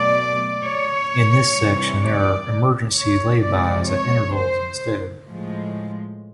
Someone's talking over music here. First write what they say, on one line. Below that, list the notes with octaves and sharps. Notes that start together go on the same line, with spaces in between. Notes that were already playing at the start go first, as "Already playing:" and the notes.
In this section there are emergency lay-bys at intervals instead.
Already playing: B2 F#3 A3 D5
C#5
C3 E3 G3
D5
C#5
C3 F3 G#3 D5
C#5
C5
A2 F3 G#3